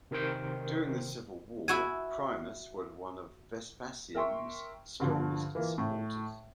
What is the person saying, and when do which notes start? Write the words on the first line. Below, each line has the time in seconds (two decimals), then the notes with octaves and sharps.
During the civil war, Primus was one of Vespasian's strongest supporters.
0.11 C3 D#3 A#4 C5 G5 G6
1.68 E4 F#4 G#5
4.15 A#4 E5 G5 C6 C#6
5.00 G2 D3 F3
5.55 E3 A#3 F4
5.78 A2